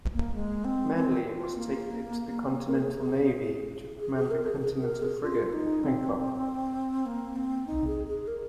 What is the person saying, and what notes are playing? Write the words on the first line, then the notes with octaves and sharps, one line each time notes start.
Manley was taken into the Continental Navy to command the Continental frigate "Hancock".
A#3
G#3
C4
C4
F4
A#3
A#4
G#4
G#4
G#4
A#4
G#4
G#4
A#4
G#4
F4
D#4
C4
A#3
C4
D#4
G#4
G#4
A#4